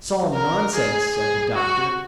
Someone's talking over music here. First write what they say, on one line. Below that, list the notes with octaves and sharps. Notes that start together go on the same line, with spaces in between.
"Solemn nonsense," said the doctor.
A#4
G#4
G#4
F#4